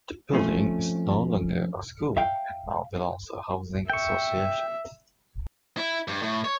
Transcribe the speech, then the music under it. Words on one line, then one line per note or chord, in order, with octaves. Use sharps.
The building is no longer a school and now belongs to a housing association.
F2 F3 A3 C#4
E5 F5 G5
E5 G5 C#6
E4
G2
A2
C#5